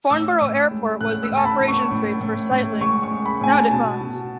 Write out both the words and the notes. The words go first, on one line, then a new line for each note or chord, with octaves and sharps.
Farnborough Airport was the operations base for Citelynx, now defunct.
A2 E6
A2
G#3
A2 F#6
E6
A2
A5
B5
A2
C#6
A2
A2
A2
G#3 C#6
C#6
G#3
B5
A2 G#5
A5
B2 A5
B2